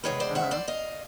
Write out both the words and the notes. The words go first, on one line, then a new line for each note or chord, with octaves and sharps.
Uh, uh-huh.
E2 C3 D#3 G#3 B4 C#5
C5 D5
E5 F#5
C5 D5
D#5 F5